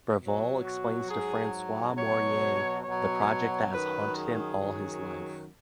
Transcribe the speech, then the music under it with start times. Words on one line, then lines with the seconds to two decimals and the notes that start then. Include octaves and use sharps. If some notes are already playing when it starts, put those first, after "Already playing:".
Breval explains to François Mourrier the project that has haunted him all his life.
0.20 B2 F#3
0.65 F#4
1.08 G#2 F#3 G#4
1.96 B2 F#3 C#5
2.84 B2 F#3 C#5
3.72 F#2 D#3 F#3 B4
4.16 G#4
4.61 F#2 D#3 F#3